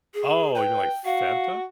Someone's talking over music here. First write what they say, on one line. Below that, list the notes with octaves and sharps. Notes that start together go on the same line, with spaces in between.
Oh, you mean, like, Fanta?
G#4
B4 G5
F#4 F5